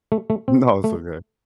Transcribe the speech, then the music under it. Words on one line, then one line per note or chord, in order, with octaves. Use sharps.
No, it's okay.
A3
A3
C4
A3